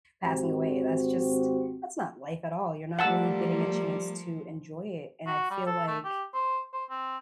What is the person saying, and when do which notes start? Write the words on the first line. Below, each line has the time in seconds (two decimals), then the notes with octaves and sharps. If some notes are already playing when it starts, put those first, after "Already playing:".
passing away. That's just that's not life at all, you're not really getting a chance to enjoy it, and I feel like
0.25 G#1 C4 F#4 G4 C5
2.99 F3 G3 A3 A#3 F#5 A5 E6
5.27 F#4
5.50 G3
5.67 A4
5.88 A3
6.05 G4
6.34 C5
6.73 C5
6.90 C4